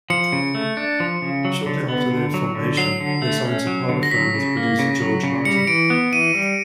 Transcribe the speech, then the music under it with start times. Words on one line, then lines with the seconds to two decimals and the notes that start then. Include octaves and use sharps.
Shortly after their formation, they signed to Parlophone with producer George Martin.
0.10 F3 C#7
0.32 C#3
0.55 A3
0.77 D4
1.00 F3
1.22 C#3
1.45 F#3
1.66 D3
1.88 B3
2.11 D3
2.34 F#3
2.55 D3
2.77 F#3 C7
3.01 D3
3.22 A3
3.45 C#4
3.67 F#3
3.89 D3
4.03 A#6
4.11 F#3 B6
4.34 C#3
4.57 A#3
4.79 C#3
5.01 F#3
5.23 C#3
5.45 G3 C#7
5.67 E3 D7
5.90 B3
6.12 E3 D#7
6.34 G3